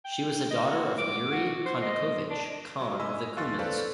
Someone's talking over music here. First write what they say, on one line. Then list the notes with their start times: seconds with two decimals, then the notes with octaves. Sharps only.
She was a daughter of Yuri Kondakovich, Khan of the Cumans.
0.05 G5
0.51 D#5
0.65 F#4
0.98 D6
1.31 F#4
1.66 C5
1.82 D#5
2.30 D4
2.81 F#3
3.00 D#5 G#5 B5 E6
3.37 D#2 F5 C6 C#6 F#6 A6
3.59 C4 A4 B4 C5 D5 F5